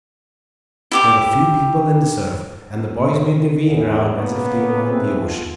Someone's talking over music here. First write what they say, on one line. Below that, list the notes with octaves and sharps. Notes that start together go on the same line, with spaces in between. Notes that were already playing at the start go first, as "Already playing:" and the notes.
There were few people in the surf and the boys made their way around as if they owned the ocean.
E4 G4 D6
E2
C#3 A#3 B3
C2 A3 C4 G#4 B4
B2 F4